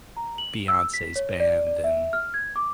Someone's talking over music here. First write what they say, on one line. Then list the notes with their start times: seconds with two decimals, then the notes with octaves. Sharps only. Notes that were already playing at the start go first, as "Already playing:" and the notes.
Beyonce's band and
0.17 A#5
0.38 F#7
0.68 E6
0.94 B6
1.16 C#5
1.40 D5
1.67 D5
1.84 E5
2.13 F6
2.34 G#6
2.56 D6